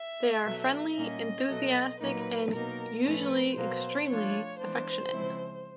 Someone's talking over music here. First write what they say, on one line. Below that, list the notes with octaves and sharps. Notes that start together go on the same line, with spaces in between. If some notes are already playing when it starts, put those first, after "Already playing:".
They are friendly, enthusiastic and usually extremely affectionate.
Already playing: E5
B2 F#3 A3
A#2 G3 A#3 C#4 D#5
B2 F#3 A3
A#2 F#3 A#3 D#4 B4
B2 F#3 A#3 D#4 A#4
A2 F3 A3 C#4 B4
B2 F#3 A#3 C5
F3 A3 D4 F4 C#5
E3 G#3 B3 D4 C5
C#3 F3 G#3 C4 E4